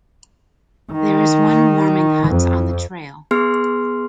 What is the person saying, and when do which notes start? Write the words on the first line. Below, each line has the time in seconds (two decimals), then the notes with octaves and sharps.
There is one warming hut on the trail.
0.92 D#3
2.28 F2
3.31 B3 G#4 C6 F6